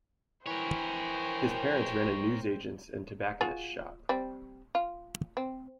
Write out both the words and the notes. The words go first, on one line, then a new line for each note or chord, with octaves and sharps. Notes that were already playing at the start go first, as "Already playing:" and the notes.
His parents ran a newsagent's and tobacconist's shop.
E3 A#4 C5 C#5 G5
F4 F#4 G#4
G3 C4
F4
C4